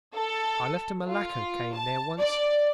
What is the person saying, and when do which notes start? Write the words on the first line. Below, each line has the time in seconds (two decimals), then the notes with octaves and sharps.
I left a malacca cane there once.
0.15 A4
1.09 F4
1.75 A5
2.19 D5